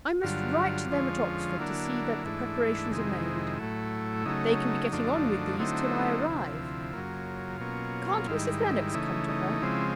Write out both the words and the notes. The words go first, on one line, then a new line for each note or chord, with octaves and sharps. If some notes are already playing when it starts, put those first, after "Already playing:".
I must write to them at Oxford, to see that the preparations are made: they can be getting on with these till I arrive. Can't Mrs. Lennox come to her?
G2 D3 F#3 F4
F2 D3 F3 G#3 C#4
D3 F#3 A#3 D4 E4
G#2 E3 A3 D4
F2 C3 D#3 G#3 E4
A2 F#3 A3
C#3 F#3 A3 D#4
F#2 D3 F3 A3 D4
D3 F#3 A3 C4 D#4 E4
D2 C3 F3
F#2 C#3 F#3 A#3 F4
B2 F#3 A#3 C#4
G#2 D#3 G3 E4
C#3 E3 A3 D#4
D#4
C#3 F3 G#3 C4 E4